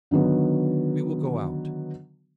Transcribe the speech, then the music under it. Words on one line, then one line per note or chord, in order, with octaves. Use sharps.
We will go out.
D3 D#3 F#3 B3